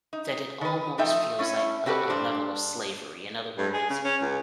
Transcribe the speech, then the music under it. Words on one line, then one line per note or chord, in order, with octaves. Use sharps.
that it almost feels like a a level of slavery. In other words,
D#4
D#3 B4
F3 A3 D#4 E5 G5
A3 C#4 E4
C4 F#4 G4 A4 B4
G2 D4 C5
G2
G#4
C#3
C#4
C#2